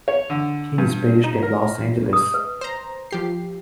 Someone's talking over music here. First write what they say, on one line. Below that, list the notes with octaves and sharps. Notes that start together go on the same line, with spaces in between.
He is based in Los Angeles.
C#5
D3
G2
D#4
A#4
D#6
B4
C5 A#5
F3 G4 C7